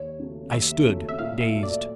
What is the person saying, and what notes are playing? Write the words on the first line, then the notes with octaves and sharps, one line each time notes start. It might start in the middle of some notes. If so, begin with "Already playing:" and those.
I stood dazed.
Already playing: D#2 C#5
C#3 F#3 A3
D#2 E5
C#3 F#3 A3
E5
A#2 F5
E5
F#3 A3
D5